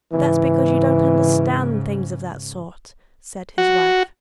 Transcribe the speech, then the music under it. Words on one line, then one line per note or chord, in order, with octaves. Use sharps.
"That's because you don't understand things of that sort," said his wife.
G#2 C#3 E3
F#4